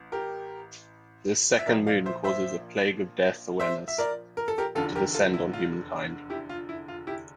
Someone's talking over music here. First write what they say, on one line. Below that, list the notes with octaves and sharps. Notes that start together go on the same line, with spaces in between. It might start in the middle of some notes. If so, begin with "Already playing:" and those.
This second moon causes a "plague of death awareness" to descend on humankind.
Already playing: A1
G4 A#4
E5
A#1 A#2 F3 A#4 D5
D5 F5
C5 E5
C5 E5
C5 E5
E5
A#4 D5
A#4
A4
G4 A#4
F1 E2 D3 F4 A4
G4 A#4
F4 A4
E4
F4
E4 G4
F4
E4
F4
E4 G4